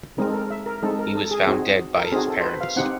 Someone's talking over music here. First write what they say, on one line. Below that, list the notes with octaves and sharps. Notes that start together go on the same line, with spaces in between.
He was found dead by his parents.
G#3 C4 D#4 A#4
A4
A#4
E5
A#4
G#3 C4 D#4 A4
A#4
A4
G#4
C4 D#4 F#4 G#4
A#4
A4
C4 D#4 F#4 G#4
A4
C5
B4
F5
C4 D#4 G4 F#5